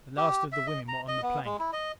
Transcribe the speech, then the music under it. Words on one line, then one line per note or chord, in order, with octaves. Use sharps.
The last of the women were on the plank.
G4
E5
D#5
A#5
D#5
B3
G#3
E4
D#5